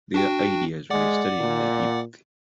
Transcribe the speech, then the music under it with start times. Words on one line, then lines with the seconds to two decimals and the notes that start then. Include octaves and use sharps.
Their ideas were studied in depth.
0.14 D4 F#4 G5
0.90 G#3 D5 F#5 D6
1.39 A#2